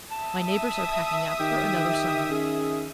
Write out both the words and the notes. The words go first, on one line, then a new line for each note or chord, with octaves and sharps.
My neighbors are packing up for another summer.
E5 A5 D#6
D#3 G4
C#4 G#4